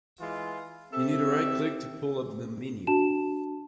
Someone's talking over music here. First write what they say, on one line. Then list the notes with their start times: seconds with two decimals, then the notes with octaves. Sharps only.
You need to right click to pull up the menu.
0.21 E3 G#3 F4
0.93 C4 G4 A4 E5
2.87 D4 F#4 A5 E7